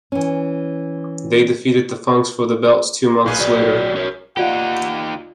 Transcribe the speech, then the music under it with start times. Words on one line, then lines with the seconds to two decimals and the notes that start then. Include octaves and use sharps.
They defeated the Funks for the belts two months later.
0.12 E3 C#4
3.26 B1 A#2 G#4 B4
3.39 F#3 D5
3.96 F#4 A#4 C#5
4.37 D#4 F4 G4 D5 F5 F#5